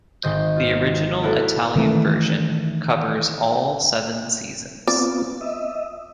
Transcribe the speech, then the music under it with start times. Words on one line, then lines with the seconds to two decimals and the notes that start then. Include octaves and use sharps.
The original Italian version covers all seven seasons.
0.23 G#1 D#3 C5 D#5 G6
0.56 F4
1.23 A#3 E4 F#4 A4 B4
1.76 D#3 E3 A3
4.87 B3 C4 F4 D5
5.41 D#5 E5